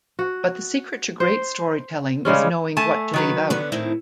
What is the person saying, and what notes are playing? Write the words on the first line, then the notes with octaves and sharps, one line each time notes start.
But the secret to great storytelling is knowing what to leave out.
F#4
C5
C#3 G3 G#3 C#4
A3 G#5 A5
D#3 F#3 B4
D3 B3 C#4
A2 D#3 C4 E4